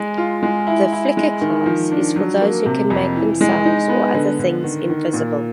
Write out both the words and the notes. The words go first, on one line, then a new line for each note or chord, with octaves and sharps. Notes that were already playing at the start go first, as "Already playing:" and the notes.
The Flicker class is for those who can make themselves or other things invisible.
Already playing: G#3
F4
G#3
E4
E4
G#3
D#3
F3
D4
F#3
A#3
C3
F2
E3
G#3
D#4
B3
D3
D3
D#3
D#3
A#2